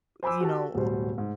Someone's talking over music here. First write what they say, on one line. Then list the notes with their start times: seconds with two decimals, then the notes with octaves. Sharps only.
you know,
0.23 C5 G#5 B5 D6 E6
0.40 F#4 G4 A5
0.74 D1 B2 G3 C5
1.18 G#2